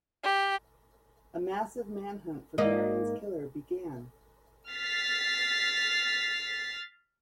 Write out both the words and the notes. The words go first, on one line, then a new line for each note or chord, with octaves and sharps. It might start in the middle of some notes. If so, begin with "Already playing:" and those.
A massive manhunt for Marion's killer began.
G4
G#2 A#3 D#5
F6 A6 B6 C7